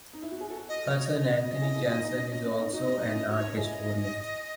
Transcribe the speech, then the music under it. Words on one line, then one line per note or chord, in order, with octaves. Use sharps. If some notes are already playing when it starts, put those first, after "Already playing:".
Her son Anthony Janson is also an art historian.
D#4
E4
F#4
G#4
F#4 A4
D#5
C#5
C#5
D#5
E4 G#4
E4 G#4
D#4 F#4
D#4
C#4
C#4
C#4
D#4
D#4 F#4 D#5
C#4
D#4
C#4 E4
D#4 F#4 C#5
E4 G#4 D#5